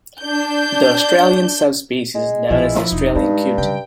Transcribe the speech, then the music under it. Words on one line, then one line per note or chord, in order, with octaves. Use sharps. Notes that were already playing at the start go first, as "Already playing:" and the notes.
The Australian subspecies is known as the Australian coot.
D4 G6
G#3
A#1 F3 E4
E1 D#4
G2 G#3
C#3 G3 G5